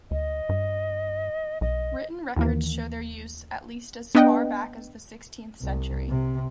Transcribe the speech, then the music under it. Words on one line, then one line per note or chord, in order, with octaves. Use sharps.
Written records show their use at least as far back as the sixteenth century.
D2 D#5
G2
B1 D#5
D#2 E3 A#3
B3 D4 B4 D#5 F#5 G5
C2
C3